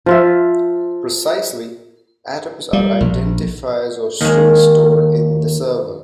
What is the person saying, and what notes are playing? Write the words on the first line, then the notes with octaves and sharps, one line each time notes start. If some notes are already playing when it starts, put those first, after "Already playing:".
Precisely, atoms are identifiers of strings stored in the server.
F3 F4 E5
G3
A#1
D#2 D#3 G#3